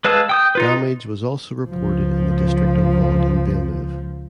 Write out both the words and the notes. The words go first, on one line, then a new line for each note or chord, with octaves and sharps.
Damage was also reported in the district of Vaud in Villeneuve.
G#3 B4 F5 A5 E6
G5 D#6 G6
D#4 F4 B4
C#2 F3